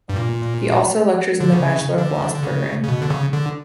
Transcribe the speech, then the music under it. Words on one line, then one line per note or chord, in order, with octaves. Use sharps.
He also lectures in the Bachelor of Laws program.
G2
A#2
D3
C#3
D3
D3
C#3
C#3
B2
D3
C#3
D3